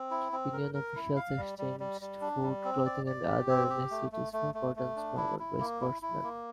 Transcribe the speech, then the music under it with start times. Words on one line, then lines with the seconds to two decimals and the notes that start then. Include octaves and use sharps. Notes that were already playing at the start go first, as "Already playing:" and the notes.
Union officials exchanged food, clothing, and other necessities for cotton smuggled by Scott's men.
Already playing: C4
0.11 E4
0.32 C4
0.53 A#4
0.74 A#4
0.96 E4
1.16 F5
1.38 G3
1.59 G3
1.80 G3
2.01 G3
2.22 D4
2.43 G3
2.65 C4
2.86 D5
3.06 D5
3.28 G4
3.49 C4
3.70 G4
3.91 A3
4.12 A3
4.33 A3
4.54 A3
4.76 A3
4.96 D4
5.17 E4
5.39 E4
5.60 A#3
5.81 E4
6.02 E4
6.23 A#3